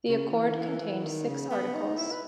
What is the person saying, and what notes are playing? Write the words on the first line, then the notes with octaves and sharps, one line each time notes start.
The accord contained six articles.
C#3
E3
D#3
E3
E3
D#3
C#3
B3
D#4
E4
B4